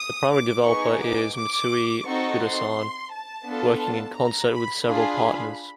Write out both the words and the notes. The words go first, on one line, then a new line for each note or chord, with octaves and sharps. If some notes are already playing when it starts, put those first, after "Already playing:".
The primary developer is Mitsui Fudosan, working in concert with several partners.
Already playing: D#6
D6
B3 D#4 G#4 C#6
D6
D6
C4 D#4 F#4 A4 C#6
C6
A5
B3 D4 F4 A4
A5
A#5
B5
D4 F4 G#4 B5